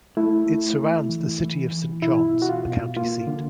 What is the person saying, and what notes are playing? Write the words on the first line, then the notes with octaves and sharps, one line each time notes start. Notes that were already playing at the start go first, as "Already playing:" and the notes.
It surrounds the city of Saint Johns, the county seat.
A3 E4
A3
A3
E3
E3
E3
B2 E4
B2
F#4
F4
B2
A#3 F4
D3